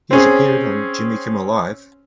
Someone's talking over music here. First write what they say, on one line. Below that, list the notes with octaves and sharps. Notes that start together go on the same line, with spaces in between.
He has appeared on Jimmy Kimmel Live!
C4 C#4 G#4